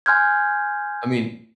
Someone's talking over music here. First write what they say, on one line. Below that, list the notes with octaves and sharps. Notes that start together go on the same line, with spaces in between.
I mean
G#5 C6 F6 G6 G#6